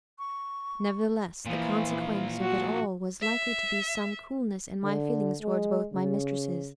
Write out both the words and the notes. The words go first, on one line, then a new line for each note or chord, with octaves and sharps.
Nevertheless, the consequence of it all was likely to be some coolness in my feelings towards both my mistresses.
C#6
A#2 E3 F3 F5
F#4
E5
D3
G#3
C#3